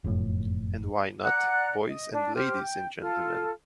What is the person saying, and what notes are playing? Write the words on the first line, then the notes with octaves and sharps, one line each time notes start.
And why not, boys and ladies and gentlemen?
F#1 F2 A2
D5 F#5 A#5 F#6
D#5
D4 D5
G4 C5 F6
G5
F4 A4 F6